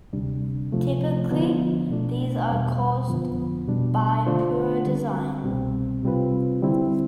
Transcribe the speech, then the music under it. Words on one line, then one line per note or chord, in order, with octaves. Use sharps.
Typically these are caused by poor design.
D2 C3 G3 D4
C3 F3 A3
D3 F3 B3 D4
B2 A3 D4
E2 B2 G3
F2 D3 F3 B3
B2 G3 D4
D3 A3 D4 F4 C5
D3 G3 C4
C2 B2 G3 C4
C3 G3 C4 F4 B4
D3 G3 C4 E4